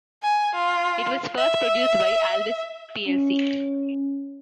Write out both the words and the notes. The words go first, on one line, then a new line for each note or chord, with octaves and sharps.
It was first produced by Alvis plc.
G#5
F4
E5
C#4